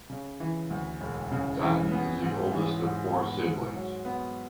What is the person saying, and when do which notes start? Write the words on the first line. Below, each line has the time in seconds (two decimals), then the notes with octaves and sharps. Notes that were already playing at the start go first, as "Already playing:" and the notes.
Dodin is the oldest of four siblings.
0.10 C#3
0.40 E3
0.70 D2
1.00 E1
1.32 C#3
1.61 E3
1.92 B3
2.23 G#2
2.53 E3
2.83 G#2
3.14 B3
3.45 G#2
3.74 F#3
4.05 B3